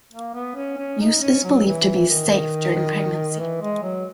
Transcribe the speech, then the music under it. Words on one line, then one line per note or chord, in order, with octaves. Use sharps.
Use is believed to be safe during pregnancy.
A#3
B3
C#4
C#4
D#4
C#4
F#3
E3
D#3
E3
G#3
F#3